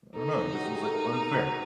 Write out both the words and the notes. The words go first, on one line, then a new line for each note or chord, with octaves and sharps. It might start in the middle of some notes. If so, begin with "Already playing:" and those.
I don't know, it just was, like, unfair.
D#4 A4
F#4
G4
G#4
A4
A#4
F#4